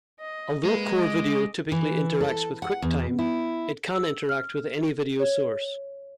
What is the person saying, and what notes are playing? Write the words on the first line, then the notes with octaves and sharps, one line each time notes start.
Although Core Video typically interacts with QuickTime, it can interact with any video source.
D#5
G#3 A#3 B4
D#5 D6
E3
A4
F#5
E2
E4
E6
F6
C#5